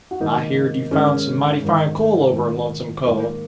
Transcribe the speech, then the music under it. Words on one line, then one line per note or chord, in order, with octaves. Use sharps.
"I heerd you found some mighty fine coal over in Lonesome Cove."
F#4
G#2 D#3 A#3 D#4
G#2 D#3 G#3 C#4
G#2 D#3
G#2 D#3
G#2 D#3 A#3